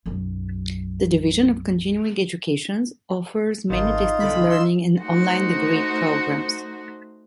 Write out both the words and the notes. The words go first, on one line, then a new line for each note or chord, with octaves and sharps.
The Division of Continuing Education offers many distance learning and online degree programs.
B1 F#2
G#1 D#4 F4
B1 D3 B5
C6 E6
A3 D#4 F#4 C5